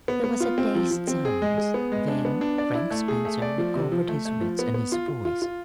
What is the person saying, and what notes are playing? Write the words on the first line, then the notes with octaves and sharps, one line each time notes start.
There was a dazed silence; then Frank Spencer recovered his wits and his voice.
B3
B3
F4
C4
F3
F3
C4
G#4
G#3
G#4
B3
G#3
D4
B3
D4
D5
E4
A3
G#4
A3
D5
F3
C3
F3
A3
A3
F3
B3
B3
F4
F4
F4
F4